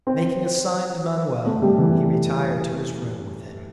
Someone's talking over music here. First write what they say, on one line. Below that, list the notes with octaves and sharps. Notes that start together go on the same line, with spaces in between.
And making a sign to Manoel, he retired to his room with him.
C4
A3
G3
E3